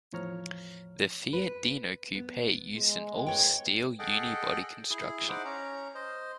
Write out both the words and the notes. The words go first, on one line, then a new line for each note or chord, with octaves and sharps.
The Fiat Dino coupe used an all-steel unibody construction.
E2 A2 F3 C#5 A#5 F6
B4
B3
G#3
B4 C#5 G5
G#4 A4 D#5 F#5 G5
E4 G#4
D#4 E4 G#4 C5 F#5 D6
C#4 A#5
C5 D#5